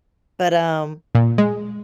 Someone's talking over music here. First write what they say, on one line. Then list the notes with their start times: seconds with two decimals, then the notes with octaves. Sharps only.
but, um
1.15 A#2
1.38 G#3